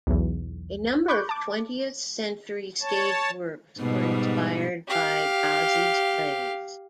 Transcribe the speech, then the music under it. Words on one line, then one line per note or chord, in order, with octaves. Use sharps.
A number of twentieth-century stage works were inspired by Gozzi's plays.
B1 E2
B5 C#6 D6 F#6 G6
A5 D6
C#5 A5
G#2 B2 G3
G4 F5